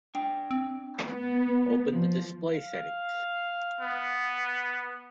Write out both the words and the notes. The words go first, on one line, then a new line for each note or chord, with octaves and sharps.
Open the display settings.
D4 G5
C4
B3
F3
F5
B3